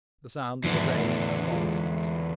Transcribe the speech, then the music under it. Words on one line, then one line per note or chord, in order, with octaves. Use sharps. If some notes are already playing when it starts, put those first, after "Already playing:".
The sound of the rain had long ceased.
E2 G#2 D3 D#3 F3
A2 E3 A3
G#3 F4